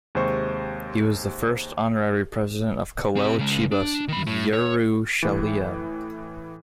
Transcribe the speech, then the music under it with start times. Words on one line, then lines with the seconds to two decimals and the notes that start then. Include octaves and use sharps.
He was the first Honorary President of Kolel Chibas Yerushalayim.
0.15 D#2 C3 G#3 C5 C#6
3.16 C4 G4
3.38 C#3 G#3
3.72 D4
4.08 D#3 B5
4.27 A2
4.54 C#5
5.23 A2 E3